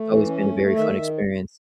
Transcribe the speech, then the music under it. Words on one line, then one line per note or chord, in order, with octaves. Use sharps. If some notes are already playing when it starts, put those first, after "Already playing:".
it's always been a very fun experience,
Already playing: A3
E3
C#4
A3
A3
D#3 E5
D#3